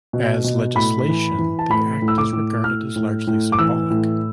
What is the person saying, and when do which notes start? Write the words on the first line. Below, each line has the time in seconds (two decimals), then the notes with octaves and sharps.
As legislation, the Act is regarded as largely symbolic.
0.13 B2
0.44 B2
0.75 A2 B5
1.08 E3
1.39 E3
1.59 A5
1.70 A2 B5
2.02 A2
2.08 E6
2.18 D6
2.33 A2
2.64 A2 F6
2.96 A2
3.27 A2
3.52 D6
3.59 E3 E6
3.90 A2